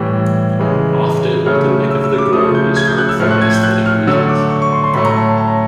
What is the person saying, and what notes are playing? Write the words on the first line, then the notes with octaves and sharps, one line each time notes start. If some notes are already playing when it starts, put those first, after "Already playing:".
Often, the neck of the gourd is carved for aesthetic reasons.
Already playing: A2 E3 G3
C#3 E3 G#3
C#3 F#3 A3 F6
E6
E6
D6
C#3 F3 A3 D#6
G6
G#6
G6
F#6
E6
A2 F3 A3 F6
F#6
G#6
G6
F#6
F6
D3 F#3 A3 E6
D6
C#6
C#6
C6
C6
A2 F#3 A3 B5
A#5
A5
A5
A#5